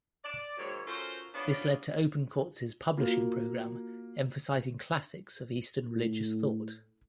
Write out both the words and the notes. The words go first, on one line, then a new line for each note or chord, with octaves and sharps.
This led to Open Court's publishing program emphasizing classics of eastern religious thought.
D5
G#2 D#3 F#3 A#3 C#5
C#4 F4 F#4 A4 A#4 C5
B3 C#4 D4 F4 D5
A#3 F4 F#4 A#4
A2